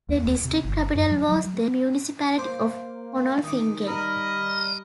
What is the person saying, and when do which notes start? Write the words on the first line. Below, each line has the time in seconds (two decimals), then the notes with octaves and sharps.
The district capital was the municipality of Konolfingen.
0.09 D#2
0.25 D#1
0.45 C3
0.65 G1
0.95 F#2
1.11 F#3
1.32 F#3
2.38 A#3 C5 D6
3.44 D#3 D#4 D6
3.87 G3 A#4 D#5 B5